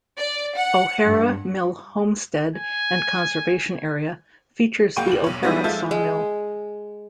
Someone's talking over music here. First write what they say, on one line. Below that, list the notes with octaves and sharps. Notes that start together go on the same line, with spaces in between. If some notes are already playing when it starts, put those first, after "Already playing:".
O'Hara Mill Homestead and Conservation Area features the O'Hara Sawmill.
D5
F#5
G2
G#5
C#2 A#3 F#5 G5 C#6 D#7
D#2 F#7
B1 C#5
D#3 F3 G3 G#3 B3
F3 G#3 F4 A4 E5
G#3